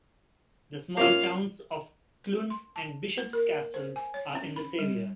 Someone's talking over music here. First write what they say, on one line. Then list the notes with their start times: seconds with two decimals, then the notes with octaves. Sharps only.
The small towns of Clun and Bishop's Castle are in this area.
0.97 A#3 C#4 F4 F5
2.50 C6
2.76 A5
3.18 A#3
3.33 A#4
3.74 C5
3.96 G#5
4.14 C#5
4.35 C#4
4.56 B5
4.79 G3